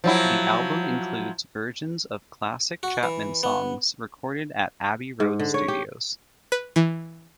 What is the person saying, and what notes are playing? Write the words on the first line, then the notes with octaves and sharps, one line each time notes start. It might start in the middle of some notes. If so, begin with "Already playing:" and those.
The album includes versions of classic Chapman songs recorded at Abbey Road Studios.
F3 F#3 E4
F#4
E3
B3
G#2
D3
C#5
G4
B4
E3